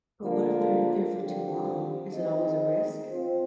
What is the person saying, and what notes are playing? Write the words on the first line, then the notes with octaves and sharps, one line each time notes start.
But what if they're in there for too long? Is it always a risk?
D3 F3 A#3 D4 F4
D3 F3 C4 G4
C4 D#4 G#4 D#5
C4 F4 C5